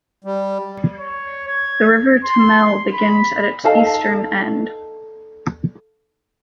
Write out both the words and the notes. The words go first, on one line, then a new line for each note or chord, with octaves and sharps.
The River Tummel begins at its eastern end.
G3
C#5
G#6
C6
B5
D#4 A4 F5 A5